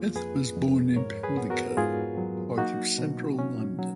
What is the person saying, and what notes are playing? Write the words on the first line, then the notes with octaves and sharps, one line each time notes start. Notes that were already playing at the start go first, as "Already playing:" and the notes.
Smith was born in Pimlico, part of central London.
Already playing: F2 A#3 F4 G#4
F2 G#4 B4
F2
G#2 A#4 C#5
G#4 B4
B3
F#4 A#4
G#2 F4 G#4
F#3
A#3 D#4 F#4
B2
C#4
F#3